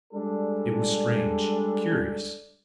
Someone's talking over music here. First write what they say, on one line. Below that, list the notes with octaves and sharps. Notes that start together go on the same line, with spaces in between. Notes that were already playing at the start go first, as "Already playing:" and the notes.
It was strange, curious!
G3 G#3 D4 A4